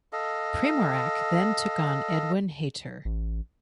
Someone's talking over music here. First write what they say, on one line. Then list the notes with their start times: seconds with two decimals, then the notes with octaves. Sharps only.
Primorac then took on Edwin Hayter.
0.13 A4 D#5 F5
3.05 A1